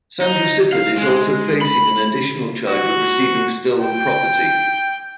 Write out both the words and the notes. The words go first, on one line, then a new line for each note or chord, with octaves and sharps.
Sandra Sifford is also facing an additional charge of receiving stolen property.
D#4
F5
G#3
B5
F#4
G5